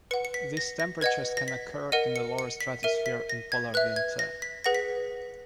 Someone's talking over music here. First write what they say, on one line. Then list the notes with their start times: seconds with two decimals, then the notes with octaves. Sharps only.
These temperatures can occur in the lower stratosphere in polar winter.
0.11 B4 F#5 C#7
0.25 C#7
0.34 B6
0.57 A#6
0.80 A#6
1.01 B4 D#5 F#5 G#6
1.37 A#6
1.48 B6
1.92 A#4 D#5 F#5 D#7
2.16 C#7
2.39 C#7
2.61 B6
2.83 A#4 E5 D#7
3.06 B6
3.29 A#6
3.52 G#6
3.74 B4 E5 F#6
3.96 G#6
4.19 A#6
4.42 B6
4.64 G#4 B4 F#5 A#6
4.75 B6